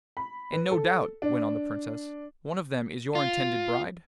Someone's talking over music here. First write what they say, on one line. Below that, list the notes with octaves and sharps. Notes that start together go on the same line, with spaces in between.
'And no doubt,' went on the Princess, 'one of them is your intended bride?'
B5
B4
A4
D4
F4